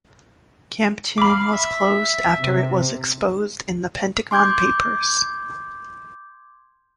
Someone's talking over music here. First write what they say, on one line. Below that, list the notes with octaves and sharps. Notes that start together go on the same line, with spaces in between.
Camp Chinen was closed after it was exposed in The Pentagon Papers.
F5 B5 D6
E5
C3
C6 D6 G6 G#6